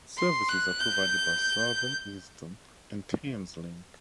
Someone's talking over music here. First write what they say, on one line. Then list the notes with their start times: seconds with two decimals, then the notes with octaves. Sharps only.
Services are provided by Southeastern, and Thameslink.
0.17 C6
0.48 F#6
0.79 G6